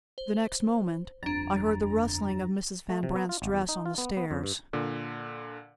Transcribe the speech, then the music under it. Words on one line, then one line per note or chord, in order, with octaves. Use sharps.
The next moment I heard the rustling of Mrs. Van Brandt's dress on the stairs.
C5
G1 F2 D4 A#5 A6
A3
C3
B3
F4
G#1
E2
D#4
F4
B3
B3
F2
G2
A#2 D3